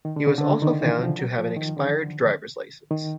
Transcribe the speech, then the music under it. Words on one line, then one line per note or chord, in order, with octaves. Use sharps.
He was also found to have an expired drivers license.
D#3
D3
C#3
D3
D#3
E3
F3
F#3
F3
D#3
D3
D#3